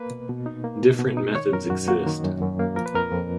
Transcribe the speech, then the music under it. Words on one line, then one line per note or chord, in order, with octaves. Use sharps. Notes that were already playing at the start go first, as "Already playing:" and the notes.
Different methods exist.
Already playing: A#3 B4
B2
B2
D#4
A#3
B2
B2
D#4
D#3 C#5
F#2 A#4
F#2 F#4
A#3 F#4
D#3
F#2
F#2
A#3
F3 A#4
B4
F2 A#4
F2